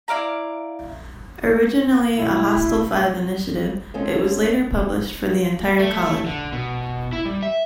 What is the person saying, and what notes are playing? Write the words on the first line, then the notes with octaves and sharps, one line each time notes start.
Originally a hostel-V initiative, it was later published for the entire college.
E4 D5 F5 A#5
B2 A3 E4
G#3 C4 C#4 F4 G#4 A4
A3
D3
B2
E4
G3
E5